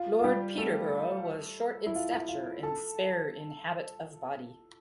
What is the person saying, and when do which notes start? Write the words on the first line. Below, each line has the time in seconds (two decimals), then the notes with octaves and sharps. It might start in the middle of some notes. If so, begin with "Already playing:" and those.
Lord Peterborough was short in stature and spare in habit of body.
Already playing: F4
0.19 F4
0.24 G3 G4
0.57 A3 A4
1.87 E4
1.95 F4
2.11 E4
2.28 F4
2.63 A4 A5